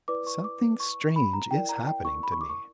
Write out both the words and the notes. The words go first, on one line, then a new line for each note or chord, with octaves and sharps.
Something strange is happening to me.
E4 B4 D5 D6
C#6
D6
C#6
B5
A#5
E4 A#4 D5 G5
A#5
G5
C#6
B5
C#6
D6
C#6